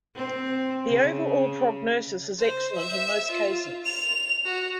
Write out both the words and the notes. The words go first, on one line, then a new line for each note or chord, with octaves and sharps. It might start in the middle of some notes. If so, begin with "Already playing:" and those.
The overall prognosis is excellent in most cases.
C4
C#3
C5
E5
F4
F7
F#4